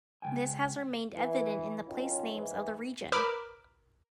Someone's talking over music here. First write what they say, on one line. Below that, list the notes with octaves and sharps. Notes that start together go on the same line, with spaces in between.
This has remained evident in the place names of the region.
C#2 C#3 G5 G#5
E3
D#3 F#3 C#4 F4
G#2 E3
A#4 B4 B5 D6 E6 F6